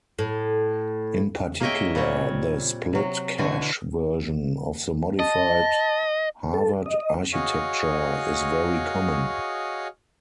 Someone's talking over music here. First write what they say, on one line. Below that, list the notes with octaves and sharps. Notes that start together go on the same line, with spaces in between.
In particular, the "split cache" version of the modified Harvard architecture is very common.
A2
A#3 G#4 C#5 D#5 E5 G5
A#2 G3 C4 C#5
C3 F#3
B2 D3 E3 F#4 G#5
D#5 A5
A4
D#5
F#4 G#4 C#5 D#5 F5